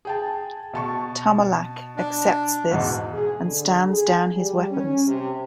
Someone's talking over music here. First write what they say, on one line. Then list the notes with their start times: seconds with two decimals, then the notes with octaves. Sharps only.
Tomalak accepts this and stands down his weapons.
0.05 G#4 G5 A5
0.73 B2 A5 C#6
1.97 D4
2.71 E2 G#2 B2
3.13 G#4
3.42 D3
3.90 G#4
4.35 G3
4.70 C#4
5.08 C3